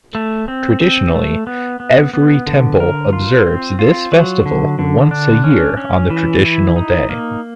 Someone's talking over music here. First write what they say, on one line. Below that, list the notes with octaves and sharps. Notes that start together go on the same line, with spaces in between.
Traditionally, every temple observes this festival once a year on the traditional day.
A3
C4
C4
A3
B3
B3
B3
D3
A#4
F4
C4
F4
F#3
D3
D3
D4
C#4
C#4
E3
E4
D#4
A#3